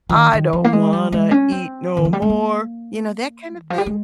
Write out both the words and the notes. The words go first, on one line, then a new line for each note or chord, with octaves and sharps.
I don't wanna eat no more. You know, that kind of thing?
F3
D#3
D#3
F3
A#3
G#3
G3
G#3
C#4
C4
D#3
F3
G3
G#3
A#3
D#3
F3
G3
G#3